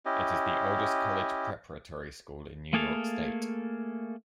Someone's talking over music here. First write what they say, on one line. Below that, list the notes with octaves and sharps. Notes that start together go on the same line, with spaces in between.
It is the oldest college preparatory school in New York State.
C#4 E4 G4 D#5
A3 A#3 G#4 A4 F5